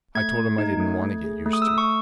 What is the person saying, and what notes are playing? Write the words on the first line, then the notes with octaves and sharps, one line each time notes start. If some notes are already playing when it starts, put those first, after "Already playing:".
I told him I didn't want to get used to it.
A3 G#6
A3
D#4
A3
A3
G#4
A3
D#6
E6
A3
C#6